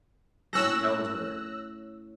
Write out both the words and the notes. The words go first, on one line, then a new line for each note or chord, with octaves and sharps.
He held her.
A2 C#4 A4 E6 F#6 A#6